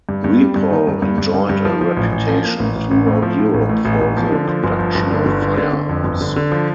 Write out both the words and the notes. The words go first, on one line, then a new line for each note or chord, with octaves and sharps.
Ripoll enjoyed a reputation throughout Europe for the production of firearms.
G2
G2
G3
G2
D#3
G2
G2
G2
G2
G2
F3
F3
A1
A1
F3
A#3
A1
A1
A1
A2
F3
A2
A1
A2
A1
A1
F3
D3
F3
G1
F3
G1
D3
G1
D3
D3
D3
F2
G1
D3
D3
F3